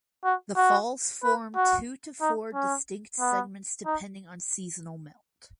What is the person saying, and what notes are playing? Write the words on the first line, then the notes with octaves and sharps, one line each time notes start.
The falls form two to four distinct segments depending on seasonal melt.
F#4
F#4
B4
F#4
D#4
C#4
B3
D#4